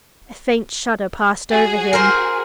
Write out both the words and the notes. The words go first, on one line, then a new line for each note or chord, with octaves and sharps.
A faint shudder passed over him.
F#4 G#4
A#4 C5